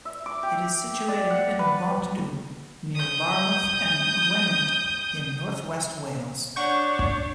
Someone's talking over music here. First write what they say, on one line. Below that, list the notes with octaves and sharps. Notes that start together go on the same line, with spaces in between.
It is situated in Bontddu, near Barmouth in Gwynedd in north-west Wales.
E5
D6
G4
D5
F#5
B4
D#6 G6
D4 C#5 F#5 C#6 G6